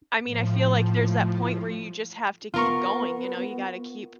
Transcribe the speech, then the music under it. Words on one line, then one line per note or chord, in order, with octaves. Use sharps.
I mean, I feel like there's that point where you just have to keep going, you know, you gotta keep,
A2 F3
B3 F4 A#4 C#6